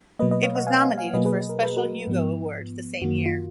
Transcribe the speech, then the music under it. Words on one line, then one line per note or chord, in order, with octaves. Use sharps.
It was nominated for a special Hugo Award that same year.
B2 F#3 A#3 B4 D#5
B4 D#5
C#5 F5
D#5 F#5
F5 G#5
F5 G#5
F5 G#5
B2 F#3 A#3 B4 D#5
G#4 B4
A#4
B4
F#4 A#4
G#2 F3 B3
F#2 D#3 A#3 F#4
F4